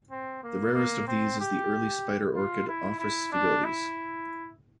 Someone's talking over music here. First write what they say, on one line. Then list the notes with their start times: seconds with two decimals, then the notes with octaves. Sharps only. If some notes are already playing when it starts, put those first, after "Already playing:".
The rarest of these is the early spider orchid "Ophrys sphegodes".
0.11 C4
0.43 A#3
0.75 A#3
1.07 C4
1.40 G4
2.36 F4
2.68 E4
2.99 E4
3.32 D4
3.64 E4